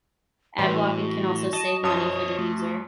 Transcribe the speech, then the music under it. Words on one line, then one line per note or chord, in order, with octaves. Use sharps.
Ad blocking can also save money for the user.
A2 E3 F#4 C6
D#5 A5
F#2 C5 C#5 A5 D#6
A3